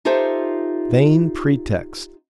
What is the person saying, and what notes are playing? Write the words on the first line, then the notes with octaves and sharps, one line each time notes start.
Vain pretext!
D#4 F4 G4 A4 C5 E5